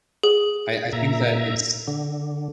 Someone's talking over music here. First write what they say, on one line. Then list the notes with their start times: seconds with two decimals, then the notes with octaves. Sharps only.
I I think that it's
0.23 G#4
0.93 A#2 E5 A#5
1.88 D3